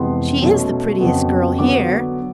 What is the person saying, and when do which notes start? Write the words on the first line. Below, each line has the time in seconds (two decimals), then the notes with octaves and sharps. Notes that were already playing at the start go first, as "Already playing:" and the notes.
"She is the prettiest girl here."
Already playing: F2 C3 E3 G#3 B3 C6
0.42 B2 F#3 A3 C#4
1.00 F2 C#3 F#3 B3
1.59 D3 F#3 B3 D6